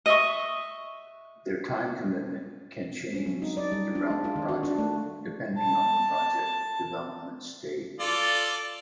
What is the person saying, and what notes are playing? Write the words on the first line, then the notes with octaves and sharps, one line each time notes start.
Their time commitment can change throughout the project depending on the project development stage.
D#5 E5 C#6
C#4
F#3
D#4
D5
G3
D4
G#3
F4
D#3
F#4
D4
A3
A5
F4 A4 D5